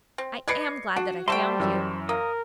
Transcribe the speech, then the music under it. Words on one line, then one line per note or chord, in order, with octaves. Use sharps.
I am glad that I found you.
C4
B4 D5 D#5 G#6 C7 C#7
D4 F#4
G3 C4 F#4 C5 E5 G5 A5 C6
F#2 E3 E6
A#3 A#4 D#6